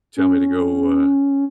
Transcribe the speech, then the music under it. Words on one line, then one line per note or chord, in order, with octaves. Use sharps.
tell me to go, uh,
C#4